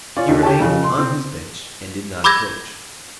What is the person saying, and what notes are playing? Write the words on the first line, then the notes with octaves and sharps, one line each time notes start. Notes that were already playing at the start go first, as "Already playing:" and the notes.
He remained on his bench and did not approach.
C#4 F4 D5
D#2 D#3
G4 C#5 A5
F2 C#3
C6
C4
B5 D6 E6 G6 G#6 A#6